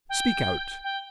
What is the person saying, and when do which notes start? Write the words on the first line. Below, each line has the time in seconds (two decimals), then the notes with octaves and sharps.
"Speak out."
0.09 G5
0.84 G5